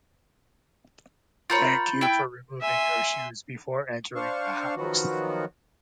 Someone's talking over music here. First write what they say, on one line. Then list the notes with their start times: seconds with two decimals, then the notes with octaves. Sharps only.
Thank you for removing your shoes before entering the house.
1.50 F4 A#4 C#5 B5 G6 A6
2.01 E4 G5
2.61 E5 G#5 C6
4.15 D4 C5 F5 C#6
4.77 D#3 F3 F#3 B3 F#4